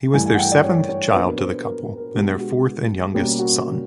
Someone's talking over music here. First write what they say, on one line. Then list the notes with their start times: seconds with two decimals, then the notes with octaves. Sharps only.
He was their seventh child to the couple and their fourth and youngest son.
0.14 G2 E3 A3 G#5
0.26 G#5
0.35 F#5
0.39 G5
0.52 D5
0.64 C#5
0.89 C#5
1.13 A#2 F#3 B3 D4 B4
1.26 A#4
1.39 C5
1.51 B4
1.64 A#4
1.81 A#4
1.97 A#4
2.14 B2 G#3 B3 D4 G4
2.39 F#4
3.14 B2 G3 A#3 C#4 G4
3.39 F#4